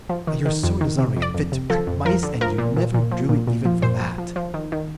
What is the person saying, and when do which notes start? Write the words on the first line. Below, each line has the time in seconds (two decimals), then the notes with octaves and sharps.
"Your sword is only fit to prick mice, and you never drew it even for that."
0.09 F3
0.27 D#3
0.45 D#3
0.63 F2
0.81 D#3
0.99 C3
1.16 F2
1.22 D5
1.34 F2
1.52 C3
1.70 F3 A4
1.87 F2
2.05 F3 A#4
2.23 D3
2.41 F3 A#4
2.58 A#2
2.77 A#2
2.94 A#2
3.11 F3
3.29 A#2
3.47 A#2
3.65 F3
3.82 A#2 C5
4.00 F3
4.18 F3
4.36 F3
4.54 D#3
4.72 D#3